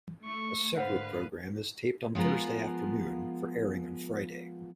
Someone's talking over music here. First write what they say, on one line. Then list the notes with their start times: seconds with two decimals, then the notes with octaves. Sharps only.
A separate program is taped on Thursday afternoon for airing on Friday.
0.25 A3 C#6
0.78 G#2 D3 B4 C5 F5 F#5
2.15 F3 G#3 B3 F4 A#4